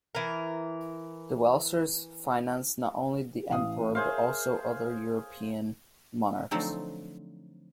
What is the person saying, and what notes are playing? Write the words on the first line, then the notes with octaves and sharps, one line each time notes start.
The Welsers financed not only the Emperor, but also other European monarchs.
E3 A#4
A1 F5 D#6
G#4 A#4 C5 C#5 E5 F5
D3 F3 F#3 A3 C4 D#4